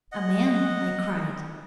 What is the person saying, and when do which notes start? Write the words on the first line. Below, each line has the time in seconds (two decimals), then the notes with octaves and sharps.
"A man?" I cried.
0.12 D#5 F#5